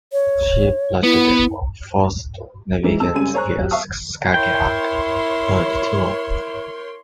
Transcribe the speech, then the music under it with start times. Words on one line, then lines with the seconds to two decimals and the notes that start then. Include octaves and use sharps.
Ships larger than were forced to navigate via Skagerrak, a detour.
0.13 C#5
1.03 B3 E4
2.83 G#2 E3 F#3 G#3
3.00 F2 A5 E6
3.14 C#2 F#2 G3 G#5 D#7
3.34 C5 C#5 G#5 A#5 C#6 F#6
3.58 F#3 G4
3.71 E5 F5 A5 C#6 D#6
4.34 E4 A#4 C#5 G5 C6